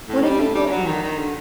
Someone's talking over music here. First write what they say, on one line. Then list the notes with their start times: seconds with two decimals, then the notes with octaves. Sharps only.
What have you brought me?'
0.08 A2
0.24 G3
0.39 A3
0.55 G3
0.67 D#3
0.70 F#3
0.86 D#3
1.02 D#3
1.18 D3